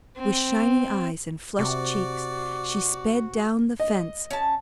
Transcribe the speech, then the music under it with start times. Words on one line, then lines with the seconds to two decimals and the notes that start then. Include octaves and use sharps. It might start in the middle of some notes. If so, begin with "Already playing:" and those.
With shining eyes and flushed cheeks, she sped down the fence.
0.17 C4
1.59 C3 F#4 D5
3.80 D#5
4.31 C#4 A5